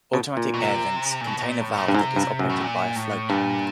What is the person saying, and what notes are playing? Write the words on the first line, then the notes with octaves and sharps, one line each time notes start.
Automatic air vents contain a valve that is operated by a float.
B2
A#2
B2
C3
A#2
B2
B2
A#2
A2
A#2
G2
G#2 C3
G2
F#2
A2
A#2
A2
G2 A#2